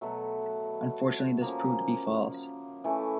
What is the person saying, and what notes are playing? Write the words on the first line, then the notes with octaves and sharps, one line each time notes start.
Unfortunately, this proved to be false.
B2 F#3 A3
C#3 F3 A#3
E3 A3 C#4